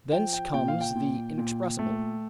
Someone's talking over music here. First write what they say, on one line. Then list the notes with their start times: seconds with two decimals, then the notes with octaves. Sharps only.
Thence comes the inexpressible.
0.12 F3 G5
0.33 G5
0.54 A#2 G5
0.68 F5
0.81 G5
0.95 A#2
1.37 A#2
1.79 A3